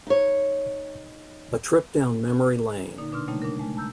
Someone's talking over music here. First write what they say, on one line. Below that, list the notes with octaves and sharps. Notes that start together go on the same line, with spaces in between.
A trip down memory lane.
D#4 C#5
A#2 D3 A#3 D#4
B2 D4 C6 D#6 F6
C#3 F#3 G3 A3 A#3 D#4
D4 A#4
G#3 A3
A5 A#5 E6 G6